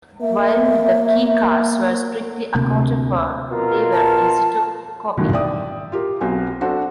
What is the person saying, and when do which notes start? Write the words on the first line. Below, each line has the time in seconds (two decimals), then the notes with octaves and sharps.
While the key cards were strictly accounted for, they were easy to copy.
0.22 A#3 E5
2.55 D2 C3 A#3
3.50 B2 F4 A#4
3.93 A5
5.17 G2 B2 D#3 E3 A3 D4
5.33 D5 E5 G5 D#6
5.92 F4 G4 A#4
6.21 B1 C4 F#4 G#5
6.61 D4 F#4 A4 C5